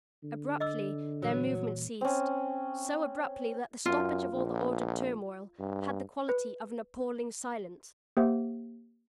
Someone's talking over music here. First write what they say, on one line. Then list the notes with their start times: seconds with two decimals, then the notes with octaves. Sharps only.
Abruptly their movement ceased--so abruptly that the stoppage of all the ordered turmoil had the quality of appalling silence.
0.24 D3
0.60 D#5 D6 E6
1.22 A#2 E3 F#3 G3
2.01 C4 C#4
3.86 F#2 F4
4.34 A#1
5.59 G2
6.29 B4
8.17 A#3 G4 C5 E5 F#5